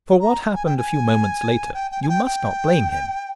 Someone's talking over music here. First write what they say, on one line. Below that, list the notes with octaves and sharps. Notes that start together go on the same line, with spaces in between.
For what happened a few moments later you must not blame him.
A#5
G#5
G5
G#5
G5
G5
G#5
G5
G5